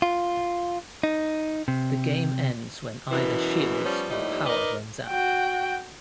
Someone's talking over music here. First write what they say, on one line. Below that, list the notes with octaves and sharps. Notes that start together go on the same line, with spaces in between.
The game ends when either shields or power runs out.
F4
D#4
C3
F#2 B2 E3
F3 G3 B3 C#4
D#2 A2 F3 G3 D#4
D#4 A#4 B4 D5 D#5
F#4 G5